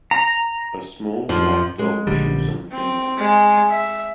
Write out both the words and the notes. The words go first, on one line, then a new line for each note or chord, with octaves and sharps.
A small black dog chews on fingers.
A#5
F2 F3
G#3
A#1 D3 G3
C4
G#3
E5